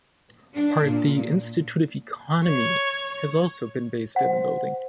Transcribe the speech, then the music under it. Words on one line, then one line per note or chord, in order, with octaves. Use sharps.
Part of the Institute of Economy has also been based in the building.
D4
A#2
C#5
C5 F#5